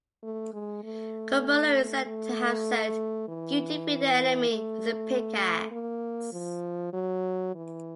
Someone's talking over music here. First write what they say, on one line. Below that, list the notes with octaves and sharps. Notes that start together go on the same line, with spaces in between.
Corbulo is said to have said, You defeat the enemy with a pickaxe.
A3
G#3
A3
A3
E3
A3
A#3
F3
F#3
E3